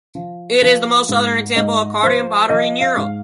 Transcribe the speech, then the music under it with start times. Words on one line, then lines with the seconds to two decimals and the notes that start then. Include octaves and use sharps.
It is the most southern example of Cardium pottery in Europe.
0.15 F3
0.62 F3
1.09 G#2
1.56 G#2 D#5
2.03 F3 C5
2.50 F3 D#5
2.81 F5
2.97 G#2